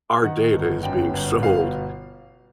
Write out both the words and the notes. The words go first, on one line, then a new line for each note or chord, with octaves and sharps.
our data is being sold,
D#3 F#5
G1
F#2 G5
G1
B2 F5